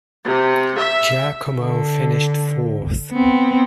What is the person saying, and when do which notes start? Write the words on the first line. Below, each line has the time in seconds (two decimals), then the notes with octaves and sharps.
Giacomo finished fourth.
0.25 C3
0.77 E5
1.60 D3
3.12 B3 C4